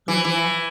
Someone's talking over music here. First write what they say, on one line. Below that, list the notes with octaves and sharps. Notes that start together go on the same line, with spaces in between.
Oh yeah.
E3
E3